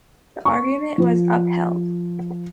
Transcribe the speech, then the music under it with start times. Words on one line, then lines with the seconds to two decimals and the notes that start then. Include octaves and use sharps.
The argument was upheld.
0.45 C#6
0.98 F3